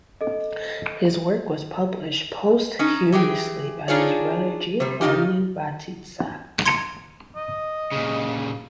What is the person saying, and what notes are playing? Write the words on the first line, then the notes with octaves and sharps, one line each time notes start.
His work was published posthumously by his brother Giovanni Battista.
A4 D#5
C#4 D#4
E3 G4 G#4 G5
D4 D#4 F4 G#4 C#5 D5
C3 G3
C#3 E3 D#4 F4 G4
C6 G#6 C#7
D#5
A#2 C#3